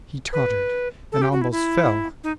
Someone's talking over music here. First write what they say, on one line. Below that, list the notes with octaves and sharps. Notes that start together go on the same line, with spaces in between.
He tottered and almost fell.
B4
A4
G4
F#4
E4
E4
D#4